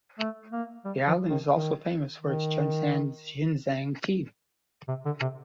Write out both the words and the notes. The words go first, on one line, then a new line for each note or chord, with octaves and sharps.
The island is also famous for its Junshan Yinzhen tea.
A3
A#3
G3
F3
D#3
D#3
D#3
C3
D3
C3